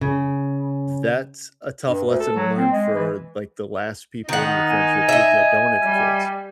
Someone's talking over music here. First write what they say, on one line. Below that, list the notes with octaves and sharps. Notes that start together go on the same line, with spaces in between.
that's a tough lesson learned for, like, the last people in your friendship group that don't have kids,
C#3
G2
D2
A4
F#3
C4
G#3
E3
D#3 B3 D#4 F#5
G#5
D#5 E5
G3